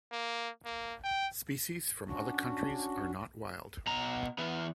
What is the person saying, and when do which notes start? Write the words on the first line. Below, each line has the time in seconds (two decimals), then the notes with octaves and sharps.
Species from other countries are not wild.
0.12 A#3
0.65 A#3
1.04 G5
2.07 C#4 D4 F#4
3.87 B2 A#5
4.38 E3 B3